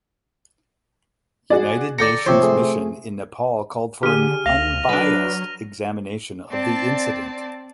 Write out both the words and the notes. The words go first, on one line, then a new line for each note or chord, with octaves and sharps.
United Nations Mission in Nepal called for an unbiased examination of the incident.
F#4 G#4 D5
A4 D5 G5 A#5 C#7
C3 F3 C5 C#5
A3 G#4
D3 G4 G#4 F6 D#7
D2 F5 A#6 F7
F#3 D4 B4
C4 D5 A5